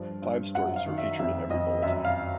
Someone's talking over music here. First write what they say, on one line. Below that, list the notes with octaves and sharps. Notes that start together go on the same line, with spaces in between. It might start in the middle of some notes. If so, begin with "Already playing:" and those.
Five stories were featured in every bulletin.
Already playing: G2 F3
G2
F#2 F#5
F5
D#3
E5
F2 E5
F2 D#5
F#2 E5
F5